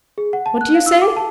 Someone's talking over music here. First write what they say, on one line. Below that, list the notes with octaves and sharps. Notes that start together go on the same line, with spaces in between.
"What do you say?"
G#4
F#5
A5
F#6
F5
E6
D6
A5